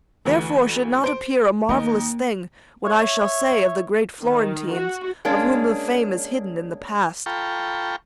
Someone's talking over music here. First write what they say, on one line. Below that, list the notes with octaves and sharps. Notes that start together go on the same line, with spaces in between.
Therefore should not appear a marvellous thing What I shall say of the great Florentines Of whom the fame is hidden in the Past.
D2 E3
C5 D7
D#2 A#3 D#4
C#5 E5
D#3
F#4
G#3 A#3 C#4 D4
F4 A4 G5 A#5 B5 C#6